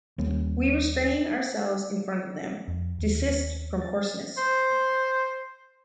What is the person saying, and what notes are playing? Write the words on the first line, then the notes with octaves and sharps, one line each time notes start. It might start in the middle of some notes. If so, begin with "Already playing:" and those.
We restrain ourselves in front of them, desist from coarseness.
D#2 G3 A#3 C#4
F2
D#2
A6
C5